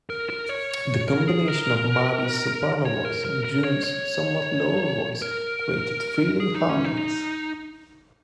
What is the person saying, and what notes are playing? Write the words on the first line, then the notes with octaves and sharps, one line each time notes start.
The combination of Maddy's soprano voice and June's somewhat lower voice created thrilling harmonies.
A#4
A#4
C#5
A#4
G#4
A#4
C#5
A#4
A#4
A#4
C#5
C#5
A#4
G#4
D#4
C#4
D#4